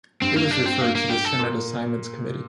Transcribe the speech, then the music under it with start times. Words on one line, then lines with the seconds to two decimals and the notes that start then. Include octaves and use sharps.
It was referred to the Senate Assignments Committee.
0.22 G2 C4
0.37 A#3
0.51 D4
0.66 C4
0.81 A#3
0.95 A#3
1.10 G4
1.25 A4
1.39 A#2